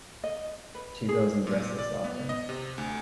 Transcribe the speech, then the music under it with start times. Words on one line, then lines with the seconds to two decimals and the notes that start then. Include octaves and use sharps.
Two girls in dresses laughing.
0.24 D#5
0.75 B4
1.09 G#4
1.47 A#2
1.79 D5
2.04 B3
2.29 D#5
2.49 C3
2.78 D2